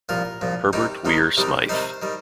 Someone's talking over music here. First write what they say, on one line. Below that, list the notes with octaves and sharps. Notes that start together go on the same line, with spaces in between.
Herbert Weir Smyth.
C2 A#2 F3 A#4
C2 A#2 F3
C3 D#3 G3 D#4 G4
C3 D#3 G3 D#4
C3 D#3 G3 D#4 G4
C3 D#3 G3 D#4 C5
D#3 G3